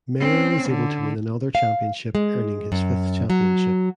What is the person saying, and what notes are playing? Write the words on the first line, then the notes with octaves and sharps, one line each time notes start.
Mayer was able to win another championship earning his fifth championship.
C4 C#4
D3
F5
G#3
F#2
F#3